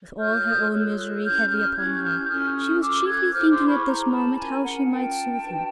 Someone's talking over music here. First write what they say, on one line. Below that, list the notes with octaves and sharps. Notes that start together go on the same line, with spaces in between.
With all her own misery heavy upon her, she was chiefly thinking at this moment how she might soothe him.
F4 A4 C#5 F6 G6
D#6
E6
F6
F4 A4 C#5 E6 F#6
E6 F#6
C#4 E4 G4 F6 G6
F6 G6
C#4 E4 G4 F#6 G#6
F6 G6
C#4 F4 A4 D#6 F6
C#4 F4 A4 D6 E6
F#6 G#6
E4 G#4 C5 F6 G6
C6 D6
B5 C#6
E4 G#4 C5 A#5 C6
A5 B5
C#4 F4 A#4 G#5 A#5
F#5 G#5
C#4 F4 A#4 G5 A5
D4 F#4 B4